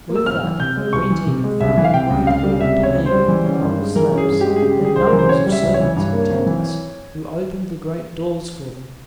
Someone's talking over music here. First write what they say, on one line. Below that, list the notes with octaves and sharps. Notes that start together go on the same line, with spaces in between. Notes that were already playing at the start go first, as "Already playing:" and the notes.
With that they went in and found a great hall paved with marble slabs, and numbers of servants in attendance, who opened the great doors for them.
A#3
E6
G1 F6
E3
C3 G6
G#3
C2 C#6
E3
C3
G#3
C2 E5
E3
F5
C3 G5
C#2
C#2 F5
G3
C3 E5
C#2
C#5
C#2
C5
G3
E3
C#4
G2
G#3
E3 A#4
C#4
G#4
G2
G#3 G4
G#4
C#3 G4
G3
G#4
C#2 C5
A#4
E3
C5
C#3 C#5
G3
E5
C#2
C#5
E3
G2
A#3
G#1
E3